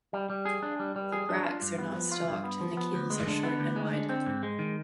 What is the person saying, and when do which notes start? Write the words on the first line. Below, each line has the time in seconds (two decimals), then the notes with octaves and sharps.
The bracts are not stalked and the keels are short and wide.
0.13 G3
0.30 G3
0.46 G#4
0.62 D4
0.79 G3
0.96 G3
1.12 G#4
1.29 D4
1.45 F4
1.61 G2
1.78 B3
1.95 F3
2.12 F4
2.28 G2
2.44 B3
2.61 F3
2.77 B3
2.94 D2
3.10 G#3
3.27 D3
3.43 B3
3.60 D2
3.76 G#3
3.93 D3
4.09 C4
4.26 G#2
4.43 G#3
4.59 D#3